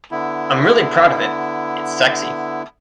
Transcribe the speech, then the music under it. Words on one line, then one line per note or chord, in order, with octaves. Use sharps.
I'm really proud of it... It's sexy.
D3 B3 E4